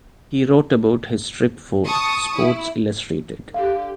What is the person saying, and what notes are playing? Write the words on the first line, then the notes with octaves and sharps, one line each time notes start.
He wrote about his trip for "Sports Illustrated".
A5 C#6 D#6
E4
D3 G4 F5